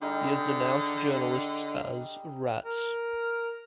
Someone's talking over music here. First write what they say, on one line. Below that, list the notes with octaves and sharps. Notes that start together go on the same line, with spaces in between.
He has denounced journalists as "rats".
D3 G3 D#4 G#4
A#4